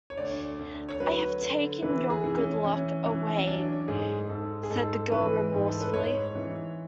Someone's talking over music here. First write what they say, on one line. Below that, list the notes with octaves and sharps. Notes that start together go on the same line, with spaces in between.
"I have taken your good luck away," said the girl remorsefully.
C#5
D2 D5
D2
C#5
F#3 B4
D3
E3 B4
G#4
E3
C#4
E3 C#4
E3
C#4
F#3 D4
G#2 G#4
G#2 A4
G#4
G#2 A4
E3 B4
G#2
A4
B4
G#2 C#5
E3